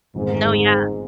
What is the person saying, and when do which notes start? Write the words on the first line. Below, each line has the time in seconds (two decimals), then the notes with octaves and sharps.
No, yeah.
0.15 G1 F2 G#2 D#3